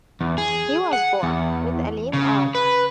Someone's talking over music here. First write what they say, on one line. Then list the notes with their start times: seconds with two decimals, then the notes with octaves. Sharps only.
He was born with a lame arm.
0.21 E2
0.38 G#4
0.93 F#5
1.23 E2
2.13 C#3
2.55 B4